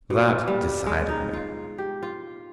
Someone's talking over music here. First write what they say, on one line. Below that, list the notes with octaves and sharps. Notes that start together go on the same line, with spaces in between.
That decided me.
B2
G3
G#3
D#4
F4
G4
F4